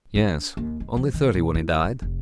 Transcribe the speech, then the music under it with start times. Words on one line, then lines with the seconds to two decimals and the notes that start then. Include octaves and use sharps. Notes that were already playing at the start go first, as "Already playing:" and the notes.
"Yes; only thirty when he died."
0.15 D4
0.57 D#2
0.80 G#3
0.97 F3
1.14 D#3
1.34 A#2
1.55 E4
1.84 D#4
2.02 F1